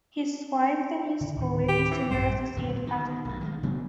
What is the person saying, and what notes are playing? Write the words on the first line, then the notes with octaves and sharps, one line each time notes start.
His wife Denise Goulet is Senior Associate Pastor.
D3
D1 D#3
G4
E3
A#1 G2 G3 C5
D2 A#2 D3 F#3
B2 D#3
B1 G2
D#3 G3 G#3
C3 F#3 B3 D4